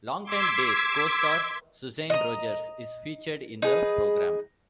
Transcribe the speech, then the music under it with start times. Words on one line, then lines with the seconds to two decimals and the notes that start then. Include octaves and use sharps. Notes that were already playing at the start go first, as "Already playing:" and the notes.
Longtime Days co-star Suzanne Rogers is featured in the program.
0.24 C6 D6 E6 G#6 B6
2.10 D#5 A#5
3.62 D#4 G#4 B4